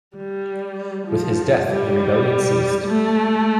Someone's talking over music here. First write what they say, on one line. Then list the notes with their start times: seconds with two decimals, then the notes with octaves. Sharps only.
With his death, the rebellion ceased.
0.17 G3
1.07 F3
1.67 G3
2.87 A3